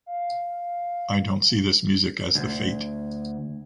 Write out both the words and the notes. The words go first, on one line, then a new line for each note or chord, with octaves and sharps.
I don’t see this music as the fate.
F5
D2